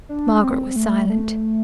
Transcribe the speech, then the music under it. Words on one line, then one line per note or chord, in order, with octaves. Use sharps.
Margaret was silent.
D4
C4
A3
G3
A3